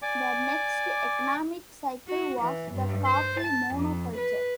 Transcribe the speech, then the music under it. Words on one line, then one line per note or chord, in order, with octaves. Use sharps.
The next economic cycle was the coffee monoculture.
D5 G#5 D6
F#4
E3
G2
C5
A5
F2
B4